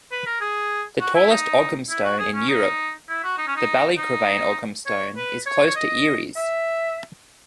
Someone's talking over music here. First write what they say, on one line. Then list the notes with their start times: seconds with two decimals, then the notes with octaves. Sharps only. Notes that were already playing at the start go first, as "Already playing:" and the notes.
The tallest Ogham stone in Europe, the Ballycrovane Ogham Stone, is close to Eyeries.
0.12 B4
0.26 A#4
0.41 G#4
1.00 F#4
1.15 E4
1.30 D#4
1.90 E4
2.04 F#4
2.19 G#4
2.34 C#4
2.49 D#4
3.09 E4
3.24 F#4
3.38 D#4
3.48 C#4
3.56 D#4
3.97 D#4
4.86 C#5
5.17 B4
5.46 C#5
5.67 C#5
5.76 D#5
6.36 E5